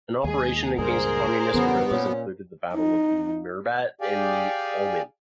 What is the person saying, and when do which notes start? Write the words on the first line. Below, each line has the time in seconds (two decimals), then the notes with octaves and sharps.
An operation against communist guerillas included the Battle of Mirbat in the Oman.
0.24 D#2 G#3 G#4
0.79 C#2 G2 A#2 G#4 A#4 C5
1.54 E2 C#3 F#3 B3
1.91 A#2 C#4
2.74 D#4
4.01 G4 G#4 D5 F5 G5 G#5